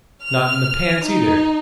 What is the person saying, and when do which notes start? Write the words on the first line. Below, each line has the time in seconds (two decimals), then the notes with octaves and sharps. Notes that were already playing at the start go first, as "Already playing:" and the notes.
Not in the pants, either?
0.23 F6
1.04 D#4